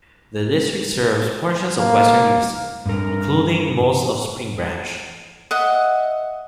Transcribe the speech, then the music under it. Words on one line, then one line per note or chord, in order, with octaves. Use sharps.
The district serves portions of western Houston, including most of Spring Branch.
A#3
G2 A#4
D#5 E5 F#5